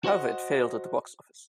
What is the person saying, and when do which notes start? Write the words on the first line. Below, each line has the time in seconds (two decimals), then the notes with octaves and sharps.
However, it failed at the box office.
0.04 F#4 C5 D#5 F#5